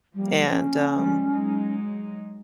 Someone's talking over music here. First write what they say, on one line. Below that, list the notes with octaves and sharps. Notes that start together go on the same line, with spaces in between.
and, um,
F3 G3 A#3
C#4
F3 G3 G#3
F#3 G#3 D#4